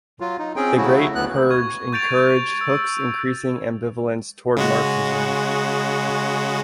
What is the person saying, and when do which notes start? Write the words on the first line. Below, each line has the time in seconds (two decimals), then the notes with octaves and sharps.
The Great Purge encouraged Hook's increasing ambivalence toward Marxism.
0.20 F#3 F4
0.39 D#4
0.56 C4 C#4 G#4 G5
0.77 C#3 F#3 A3 E4 F#4
1.15 D2 B3 F#6
1.50 C#6 G#6
1.93 C#6 G6 A6 D7 F7
2.61 E6
4.56 C#3 G#3 F#4